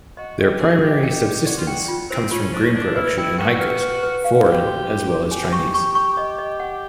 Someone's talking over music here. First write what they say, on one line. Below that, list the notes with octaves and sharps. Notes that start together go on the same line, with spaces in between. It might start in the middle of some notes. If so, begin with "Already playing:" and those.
Their primary subsistence comes from grain production and hikers, foreign as well as Chinese.
F#4 D#5
G4 D#5
G#4 C5
G4 D#5
G4 G5
D5
F#4 D5
F4
F#4 G5
F4
C4 C5
C#4 F4
D4 C5
C#4
D4 D5
E4 B4
E4 G5
F#4 G5
B4
B4
B4
F5
G4 B4
F#4
C#4
C#4
G4 G#5
C#6
C#6
C#6
D#5
D#5
F#5